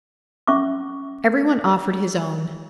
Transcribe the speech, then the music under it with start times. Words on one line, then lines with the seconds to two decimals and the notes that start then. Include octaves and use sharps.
Everyone offered his own.
0.47 C#4 E5 C#6 D6